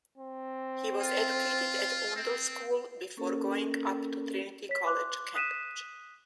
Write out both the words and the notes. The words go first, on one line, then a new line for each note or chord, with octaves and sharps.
He was educated at Oundle School before going up to Trinity College, Cambridge.
C4
F4
C4
A#3 C#4 A4 A#4
C#5 B6
C6 D6 F#6
D#6 F#6 B6 D#7 E7